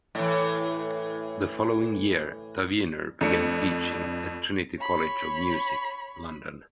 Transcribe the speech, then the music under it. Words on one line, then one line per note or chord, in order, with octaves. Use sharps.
The following year Tavener began teaching at Trinity College of Music, London.
A2 E3
F2 A3 D4 C#7
C#5 B5